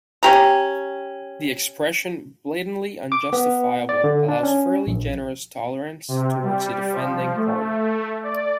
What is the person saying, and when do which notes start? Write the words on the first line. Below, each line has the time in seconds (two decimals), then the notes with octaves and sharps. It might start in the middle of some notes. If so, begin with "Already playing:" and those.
The expression "blatantly unjustifiable" allows fairly generous tolerance towards the defending party.
0.23 C#4 G4 A#5
3.12 D6
3.33 B3
3.89 D5
4.04 D3
4.29 D4
4.43 C#4
4.87 A#1
6.08 C3
6.43 G3
6.92 F3
7.35 A3
8.23 D5